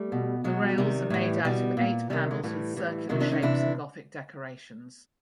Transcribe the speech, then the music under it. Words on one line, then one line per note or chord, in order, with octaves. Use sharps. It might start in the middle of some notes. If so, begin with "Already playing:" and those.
The rails are made out of eight panels with circular shapes and Gothic decorations.
Already playing: G3 A3
B2
B2 F#3 G#3
C3 D#3 G3
A2 E3
B2 G3
A#2
C3 D#3 G3
G#3
A2 E3 G3
A2 E3
C3 D#3 F#3 G#3
C4 D4
C#4 D#4
C3 E3 D4 E4